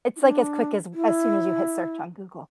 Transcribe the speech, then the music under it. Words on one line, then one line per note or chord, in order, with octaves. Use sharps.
It's like as quick as as soon as you hit search on Google.
E4
D4
E4